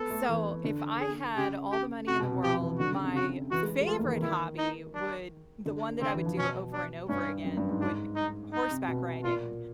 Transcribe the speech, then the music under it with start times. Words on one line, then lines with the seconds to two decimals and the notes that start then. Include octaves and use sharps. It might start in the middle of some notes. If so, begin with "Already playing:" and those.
So, if I had all the money in the world, my favorite hobby would the one that I would do over and over again would be horseback riding.
Already playing: B3 A4
0.10 A3
0.29 E3
0.65 D3
1.00 G#4
1.36 C#3 G4
1.72 G4
2.08 C3 F#4
2.20 B2
2.32 C3
2.43 F3 G4
2.61 E3
2.79 D3 F#4
2.91 C#3
3.03 C3
3.16 C#3 F#4
3.51 E3 F#4
3.63 G#3
3.81 G#3
3.86 A3 F4
3.99 A#3
4.05 D#3
4.10 E3
4.22 D#3 E4
4.58 D#4
4.94 D4
5.66 D3
6.01 D3 C4
6.14 E3
6.26 F3
6.37 B2 C#4
6.73 D4
7.09 G2 C#4
7.45 F#2
7.57 G2
7.69 G#2
7.81 G#2 D4
8.16 D#4
8.53 D#4
8.70 C3
8.88 B2
9.24 A#2 F4